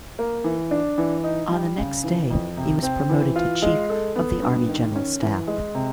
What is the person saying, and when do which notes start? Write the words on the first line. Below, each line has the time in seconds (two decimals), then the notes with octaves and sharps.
On the next day he was promoted to Chief of the Army General Staff.
0.19 A#3
0.44 E3
0.71 D4
0.98 E3
1.24 D#4
1.51 G3
1.78 C#3
2.04 E3
2.30 F2
2.57 C3
2.83 C4
3.09 E3
3.36 F4
3.62 G#3
3.90 A4
4.16 B3
4.42 G2
4.68 D#3
4.96 C#4
5.22 E3
5.47 G#3
5.75 C3